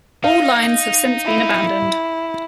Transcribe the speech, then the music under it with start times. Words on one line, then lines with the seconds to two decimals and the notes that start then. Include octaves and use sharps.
All lines have since been abandoned.
0.24 D#4 F5
1.25 E4